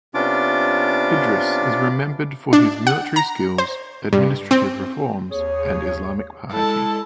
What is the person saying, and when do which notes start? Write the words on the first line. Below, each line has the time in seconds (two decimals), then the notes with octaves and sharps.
Idris is remembered for his military skills, administrative reforms and Islamic piety.
0.14 C3 B3 C#4 D4 F4 D6
2.53 D4
2.87 F#5
3.16 A#5
3.58 C5
4.13 G2
4.51 C4
5.32 D#2 G#4 C#5
6.53 G#3 E4 A4 A5